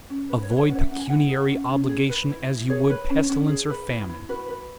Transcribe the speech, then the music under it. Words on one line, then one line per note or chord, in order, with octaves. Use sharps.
Avoid pecuniary obligation as you would pestilence or famine.
C#4
F#4 B4
C#5
B4
C#5
C#4 F#5
C#5
E5
C#4 F#5
G#5
E4 F#5
G#4
C#4
C#4
G#4
B4
E4
E4
G#4 C#5
B4
C#4
C#4
G#4
B4
E4
E4
F#4 B4
B4